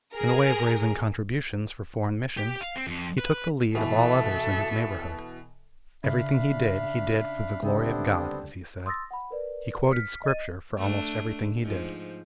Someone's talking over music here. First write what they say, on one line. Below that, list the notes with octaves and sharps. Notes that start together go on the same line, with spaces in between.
In the way of raising contributions for foreign missions, he took the lead of all others in his neighbourhood. Everything he did, he did for the "glory of God," as he said: he quoted Scripture for almost everything he did.
G#4 A#4
G4
F5
C4
F2
B4
B2 E3 A4 E5
C#3 D4 E5 F5 B5
C#2 D3 G3 B3 C4 D4
C6 D#6 E6 A6 A#6
F#5 B5
A#4 B4 D5
F6 B6 C#7
D#5 A6 D#7
A3 D4
G#2 F3